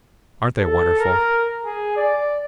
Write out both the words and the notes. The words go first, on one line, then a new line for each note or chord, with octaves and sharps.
"Aren't they wonderful?"
A4
A#4
G#4
D5